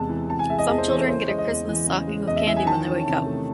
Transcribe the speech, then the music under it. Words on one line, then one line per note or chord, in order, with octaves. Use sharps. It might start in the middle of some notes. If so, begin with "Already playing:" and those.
Some children get a Christmas stocking with candy when they wake up.
Already playing: E2 C3 G#3 A5
E3
C3 A5
G#5
G#3 E5
D#5
E2 G#4
C5
E3 C#5
A4
C#3 C5
C#5
G#3 D#5
D#5
E2
E3
C#3
G#3
E2 D#5
E5
E3 E5
G#5
D#3 A5
C#4
C3
A3